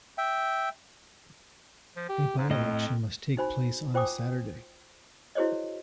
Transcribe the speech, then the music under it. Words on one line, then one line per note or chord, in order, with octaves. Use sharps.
A by-election must take place on a Saturday.
E5 G5
F3
G4
G#2
F2 A2 D#5
D#4 F#4 C5 G#5 B5
F4 C5 G5 G#5 D6 D#6
E4 F#4 G#4 C5 C#5 D#5